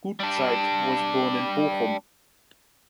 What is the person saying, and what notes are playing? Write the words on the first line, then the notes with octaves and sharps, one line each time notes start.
Gutzeit was born in Bochum.
G3 D4